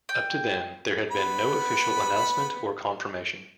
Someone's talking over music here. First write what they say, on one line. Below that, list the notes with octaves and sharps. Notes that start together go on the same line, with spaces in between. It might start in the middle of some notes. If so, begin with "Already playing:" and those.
Up to then there had been no official announcement or confirmation.
G5
B3 B5